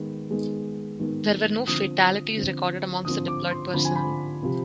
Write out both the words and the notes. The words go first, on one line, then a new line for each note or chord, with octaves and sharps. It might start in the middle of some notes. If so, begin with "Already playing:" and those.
There were no fatalities recorded amongst the deployed personnel.
Already playing: D#3 G#3 B3
D#3 G#3 B3
D#3 G#3 B3
D3 F3 C4 D#6
D3 F3 C4
D3 F3 C4 D#6
D6
C6
D3 F3 C4 B5
G#5
B5
C3 F3 C4